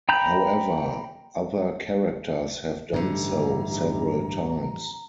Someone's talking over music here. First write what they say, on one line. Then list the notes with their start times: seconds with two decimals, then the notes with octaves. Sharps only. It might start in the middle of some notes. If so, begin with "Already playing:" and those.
However, other characters have done so several times.
0.09 G5 A#5 B5 G6
2.94 A1 G2 D3 D#4 E4 G4 A#5